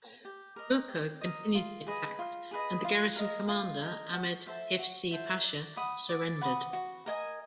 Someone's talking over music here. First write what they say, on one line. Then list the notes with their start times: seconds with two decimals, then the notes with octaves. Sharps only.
Gourko continued the attacks and the garrison commander Ahmed Hifzi Pasha surrendered.
0.25 G4
0.56 A#4 D#5
0.89 G4
1.21 A#4 D#5
1.55 F4
1.87 G#4 B4 D#5
2.19 F4
2.51 G#4 B4 D#5
2.84 F4
3.16 A#4 D#5
3.49 F4
3.81 A#4 D#5
4.13 F#4
4.46 A4 C5 E5
4.79 F#4
5.11 A4 C5 E5
5.43 D5
5.76 F#5 B5 D#6
6.09 D5
6.41 F#5 B5 D#6
6.73 F#4
7.06 A#4 D#5 G#5